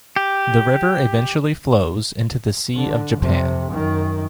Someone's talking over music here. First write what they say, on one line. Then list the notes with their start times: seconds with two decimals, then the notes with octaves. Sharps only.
The river eventually flows into the Sea of Japan.
0.16 G4
2.76 D3
3.19 F2 C3
3.70 F#2 D#3